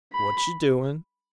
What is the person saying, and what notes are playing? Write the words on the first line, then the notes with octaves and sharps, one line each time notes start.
"What you doin'?"
B5